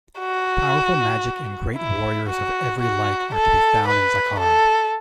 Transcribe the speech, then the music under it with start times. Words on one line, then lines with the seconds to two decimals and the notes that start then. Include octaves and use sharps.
Powerful magic and great warriors of every like are to be found in Zakhara.
0.19 F#4
1.77 E4
2.29 F#4
2.82 F#4
3.35 A4
3.87 B4
4.40 A4